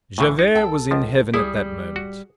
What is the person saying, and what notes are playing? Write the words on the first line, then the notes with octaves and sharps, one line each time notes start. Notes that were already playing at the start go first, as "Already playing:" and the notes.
Javert was in heaven at that moment.
C2 A2 C#3 E3
D#4
C2 A4 G5
C#2 F3
C#2 G3 E4 G#4
D1 F#4